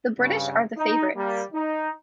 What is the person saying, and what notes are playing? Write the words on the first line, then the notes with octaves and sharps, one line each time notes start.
The British are the favorites.
G2 C#3
D#4
G3 A#3
D#4